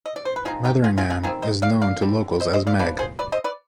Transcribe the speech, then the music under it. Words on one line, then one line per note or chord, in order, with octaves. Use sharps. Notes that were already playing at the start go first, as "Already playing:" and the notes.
Metheringham is known to locals as "Meg".
D#5
D5
C5
B4
F3 G#3 C4 D#4 F4 G#4
D#4 G4
F4 G#4
F4 G#4
F4 G#4
D#3 G3 C4 F4 G#4
C5 D#5
D5 F5
D5 F5
D3 G3 D4
C5 D#5
C5 D#5
D5 F5
F3 B3 D4 B4 D5
G#4 C5
B4 D5
C5 D#5
B4 D5